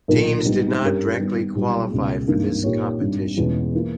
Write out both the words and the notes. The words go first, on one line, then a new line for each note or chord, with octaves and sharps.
Teams did not directly qualify for this competition.
B1 A#2 A#3 D#4 A#4
G#1 G#2 G3 B3
G2 G3 C#4 G4 A#4
D#3 G3 B3
B1 A#2 G3 B3 G4
C#2 B2 G#3
G#1 G2 E3 A#3 D#4
A#2 A#3 D#4 G4 C#5
G#1 G2 G3
E2 B2 G#3 C#4
E3 A#3 E4